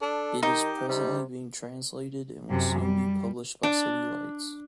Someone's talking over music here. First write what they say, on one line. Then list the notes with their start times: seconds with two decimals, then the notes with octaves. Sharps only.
It is presently being translated and will soon be published by City Lights.
0.02 D4 A4
0.43 D#3 D#4 G4
0.89 C3 G3
2.49 F#2 C3
2.79 G3
3.63 D4